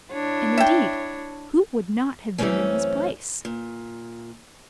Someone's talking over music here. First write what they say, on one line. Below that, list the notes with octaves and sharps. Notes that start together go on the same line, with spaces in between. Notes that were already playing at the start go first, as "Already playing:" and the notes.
And indeed who would not have been in his place?
D4 E4 C#5
E5 G5
F#2 E3 F#3 A3 C4 C#4
A#2